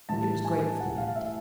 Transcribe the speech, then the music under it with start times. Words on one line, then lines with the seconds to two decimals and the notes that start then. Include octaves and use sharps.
It was gratefully empty.
0.09 A2 E3 G3 A5
0.45 G#5
0.80 F#5
0.98 F5
1.16 E5